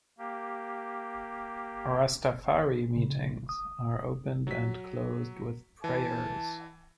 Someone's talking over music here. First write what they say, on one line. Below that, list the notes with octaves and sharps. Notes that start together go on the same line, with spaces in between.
Rastafari meetings are opened and closed with prayers.
A#3 G4
C#3
D#6
F#3 B6
E3 A5